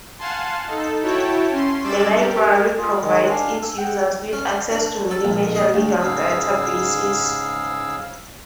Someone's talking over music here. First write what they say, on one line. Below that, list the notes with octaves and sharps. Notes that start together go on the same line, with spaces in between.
The library provides its users with access to many major legal databases.
F5 F#5 G#5 A5 C6
D#4 A4
E4 F#4 C#5 G5 A5
C#4 C6
G3 D4 D5 D6 E6 E7
G4 A#4
F4 G#4
D#3 G#3
D4 F5 G#5
E6
F#5 G5
C#4
D4
A4
A#1
D#5
D2
G#2 C#3 G#4 F5 E6